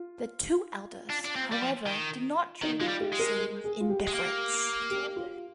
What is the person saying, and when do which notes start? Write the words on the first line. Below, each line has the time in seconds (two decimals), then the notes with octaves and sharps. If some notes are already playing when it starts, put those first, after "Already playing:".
The two elders, however, did not treat heresy with indifference.
Already playing: F4
1.10 D4
1.25 D4
1.36 C4
1.52 G3
1.61 F3
1.86 D#3
2.62 D#3 D#4
2.80 G#3 F4
2.88 G3
3.00 G4
3.13 G#3
3.19 A#4
3.38 G#4
3.64 G#4
3.80 F4
3.90 G4
4.07 G#3
4.14 A#3
4.90 G4
5.16 F4